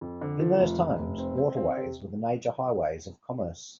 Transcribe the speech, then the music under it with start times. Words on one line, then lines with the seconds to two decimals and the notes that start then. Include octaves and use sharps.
In those times, waterways were the major highways of commerce.
0.01 F2
0.21 D3
0.40 F3
0.60 F1
0.78 F1
0.99 F1
1.18 C4
1.37 C4
1.57 C4
1.77 C3